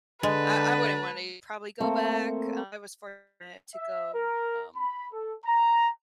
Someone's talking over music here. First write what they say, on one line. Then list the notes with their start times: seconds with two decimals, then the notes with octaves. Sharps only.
I I wouldn't wanna probably go back. Uh, I was fortunate to go, um,
0.23 D3 G#3 B4 A5
1.80 A3 A#3 C4
3.74 E5
4.13 A#4
4.76 B5
5.12 A4
5.45 A#5